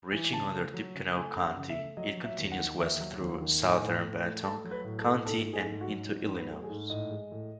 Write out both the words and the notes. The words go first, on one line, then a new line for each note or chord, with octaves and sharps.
Reaching under Tippecanoe County, it continues west through southern Benton County and into Illinois.
E3
C#3 A5
A3
F#3
C#3
A3 G#5
F#2
F#5
C#3
E5
A3
F#3 D#5
F#3
E5
D#2
F#5
D#3
D#2 E5
F#3
D#2
D#3
A2 G#5
A2
A2
A3
A3 A5
F#3
B4
A2
A4
A2
G#2 A4
A3
G#4
G#2
F#4
F#3
G#2
F#3
B4
A3
G#4
G#2
A2 D#5
G#3
A2